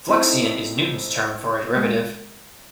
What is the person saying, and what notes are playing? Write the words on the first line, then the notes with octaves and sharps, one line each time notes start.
Fluxion is Newton's term for a derivative.
C4 D#4 E4 A4
G#3